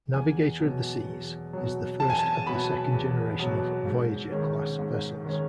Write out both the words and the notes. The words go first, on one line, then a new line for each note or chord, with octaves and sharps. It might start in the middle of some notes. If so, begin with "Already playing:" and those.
"Navigator of the Seas" is the first of the second generation of "Voyager"-class vessels.
E2 G#5
B2 F#3
E2
B2 F#3
E2 A5
G#5
A5
B2 F#3 B5
E2
B2 F#3
G#2
D#3 G#3 C#4
G#2
D#3 G#3 C#4